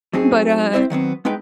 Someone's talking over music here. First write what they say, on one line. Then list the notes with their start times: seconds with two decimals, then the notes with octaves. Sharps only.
but, uh
0.13 F#3 C4 D#4 G#4
0.73 C4 C#4 E4 C5 E5
0.90 D#3 F#3 B3 C4
1.25 G#3 B3 D#4 B4 G5